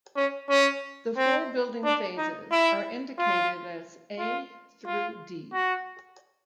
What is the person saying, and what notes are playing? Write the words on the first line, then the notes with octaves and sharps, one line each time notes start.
The four building phases are indicated as a–d.
C#4
C#4
C4
D4
D#4
E4
F4
F4
F4
F#4